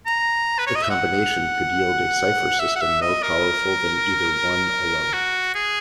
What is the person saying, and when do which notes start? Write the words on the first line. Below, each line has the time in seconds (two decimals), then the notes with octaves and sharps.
The combination could yield a cipher system more powerful than either one alone.
0.06 A#5
0.59 B4
0.67 C#5
0.75 D#5
0.83 E5
0.91 F#5
2.60 E5
2.76 F#5
2.81 E5
3.01 D#5
3.23 A#4
5.13 F#4
5.55 G#4